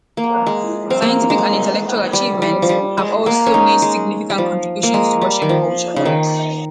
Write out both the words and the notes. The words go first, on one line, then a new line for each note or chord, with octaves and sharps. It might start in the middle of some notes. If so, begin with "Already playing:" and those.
Scientific and intellectual achievements have also made significant contributions to Russian culture.
A#3
G#3
C4
A#3
G#3
G3
G3
F3
G3
G#3
A#3
C#4
D#4
G#3
G3
F3
A#3
G#3
G3
D#3
F3
C#3
D#3